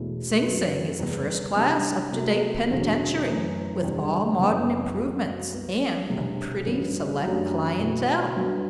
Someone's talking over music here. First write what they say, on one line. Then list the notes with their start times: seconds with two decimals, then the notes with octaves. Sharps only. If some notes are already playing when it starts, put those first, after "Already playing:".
'Sing Sing is a first-class, up-to-date penitentiary, with all modern improvements, and a pretty select clientele.'
Already playing: E1 E2 B2 A3 E4
0.42 F#2 F#3 B3 F#4 B4
0.99 E2 C3 G3 B3
1.56 C3 G3 D4 G4
2.12 C3 F#3 A3
2.69 E1 E2 D3 F#3
3.26 F#2 E3 A3
3.82 E2 C3 G3 D4
4.39 F#1 F#2 E3 B3
4.96 F#2 F#3 C4 F#4
5.53 C2 C3 F#3 B3
6.09 E1 D2 C3 E3 G3
6.66 A1 G2 F#3 B3
7.24 F#2 F#3 A3 D4 G4
7.79 B2 A3 E4 A4
8.36 G2 F#3 B3